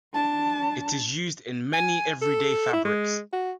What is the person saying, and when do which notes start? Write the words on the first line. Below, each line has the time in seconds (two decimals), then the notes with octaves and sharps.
It is used in many everyday fabrics.
0.14 D4 A5
1.73 G#5
2.21 A4
2.73 E4
2.85 G#3
3.33 F#4